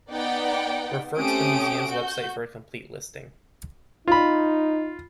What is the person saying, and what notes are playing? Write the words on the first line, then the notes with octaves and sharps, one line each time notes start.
Refer to the museums website for a complete listing.
B3 D#4 D5 F#5 G5
A3 C4 C#4 G4 D#6 D7
F#4 G6
D#4 F4 B5